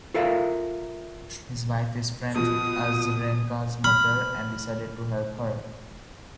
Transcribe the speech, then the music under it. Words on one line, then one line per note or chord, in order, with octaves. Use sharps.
His wife is friends with Azarenka's mother and decided to help her.
F4 A4 A#4 E5 F5
B2 F3 D#6
B5 F6